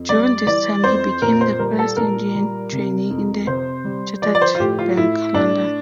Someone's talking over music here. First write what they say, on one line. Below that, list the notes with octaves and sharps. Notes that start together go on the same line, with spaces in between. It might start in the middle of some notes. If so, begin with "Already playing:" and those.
During this time he became the first Indian trainee in the Chartered Bank, London.
Already playing: F2
G3 D5
E3 D5
F2 C5
A#2 A#4
C5
G3 A#4
A4
A#2 A#4
G3
C3
F2
C3 C5
G3
F3 D5
D5
C5
F4
A2 G4
F4
A2 E4
A2 D4